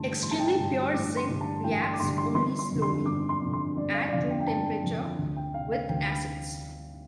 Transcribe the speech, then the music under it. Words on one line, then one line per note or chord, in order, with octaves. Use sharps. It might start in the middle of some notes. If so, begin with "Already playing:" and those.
Extremely pure zinc reacts only slowly at room temperature with acids.
Already playing: A1 G2 D3 A5 C6
A1 C6
A5
G5
A5
G2 D3
A1 D6
C6
G2 D3
A5
A1 G5
C6
D6
G2 D3 C6
C6
G1 C6
C6
F2 D3
C6
G1 D6
C6
F2 D3
C6
G1 D5
F5
D5
F2 D3 F5
G5
G5
G1 A5
F2 D3
D2
G5
C3 F5
F5
D2 G5